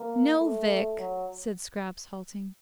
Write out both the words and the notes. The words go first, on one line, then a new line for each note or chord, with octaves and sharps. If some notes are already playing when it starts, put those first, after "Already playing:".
"No, Vic," said Scraps, halting.
Already playing: A#3
A3
F#3